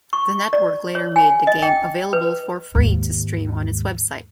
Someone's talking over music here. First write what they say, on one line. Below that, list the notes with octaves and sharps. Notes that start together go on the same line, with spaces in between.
The network later made the game available for free to stream on its website.
C#6
D5
C#5
G#5
D#5
G5
B4
D#2 G#2